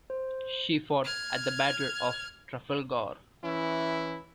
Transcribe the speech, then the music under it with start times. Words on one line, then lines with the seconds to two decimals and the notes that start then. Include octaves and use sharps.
She fought at the Battle of Trafalgar.
0.10 C5
1.04 F6 G#6
3.43 E3 C#4 E4